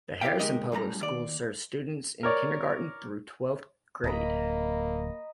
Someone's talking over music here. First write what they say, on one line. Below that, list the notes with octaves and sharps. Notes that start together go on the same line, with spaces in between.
The Harrison Public Schools serves students in kindergarten through twelfth grade.
E4 G4 A4 E5 F5 G5
D2 G#3 D#4 G4 A#4 D#5
F#2 A2 G3 A#5
D#2 D5
A#4 C#5 D5
D1 A#3 D#5 A#5 B5